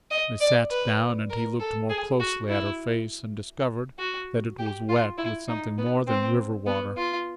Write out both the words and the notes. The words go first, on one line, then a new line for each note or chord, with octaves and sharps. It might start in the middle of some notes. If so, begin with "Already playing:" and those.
They sat down, and he looked more closely at her face and discovered that it was wet with something more than river water.
D#5
D5
B4
A#4
A4
G#4
F#4
E4
F#4
G4
F4
E4
D#4
B3
C4
B3
F4